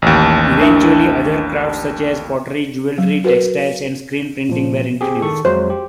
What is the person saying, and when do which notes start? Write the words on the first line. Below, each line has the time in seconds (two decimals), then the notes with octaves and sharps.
Eventually other crafts such as pottery, jewellery, textiles and screenprinting were introduced.
0.02 A1 D#2
0.61 D4 A#4 E5
2.98 F#3
3.24 F#4 A#4 B4
4.49 A#2 F3
5.01 C4 G4 G#4
5.22 D#3 A4 C#6
5.45 F2 F#3 G#3 C5
5.70 G4